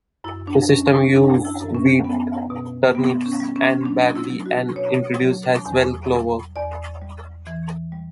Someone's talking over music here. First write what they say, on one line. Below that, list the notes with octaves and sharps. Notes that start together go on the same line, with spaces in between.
The system used wheat, turnips and barley and introduced as well clover.
F#2 E4
D4
G3 C#4
C#4
F#2 D4
E4
F#2
C#4
G3 B3
B2
G3 B3
C#4
G3
C#4
F#3 D4
E4
F#3
F#4
B2 C#5
F#3
E2
G3
E2 D5
G3
E3
G3